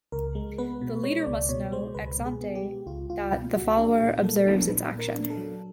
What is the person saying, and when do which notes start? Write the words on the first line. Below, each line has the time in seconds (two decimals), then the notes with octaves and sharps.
The leader must know "ex ante" that the follower observes its action.
0.12 C#2 A#4
0.35 G#3
0.58 B3 B4
0.81 B2
1.03 G#3 C#5
1.26 C#2 D5
1.49 B2 C#5
1.72 G#3 C5
1.94 C#2 B4
2.18 B2
2.25 G#4
2.41 B3
2.55 G4
2.63 G#3
2.86 C#2 F4
3.09 C#2 F4
3.32 B2 F4
3.55 C#2 F#4
3.77 D4 G#4
4.00 A#2
4.23 A#3 A4
4.46 D4
4.68 A#2 B4
4.92 A#2
4.99 A#4
5.15 D4
5.30 A4
5.37 F#3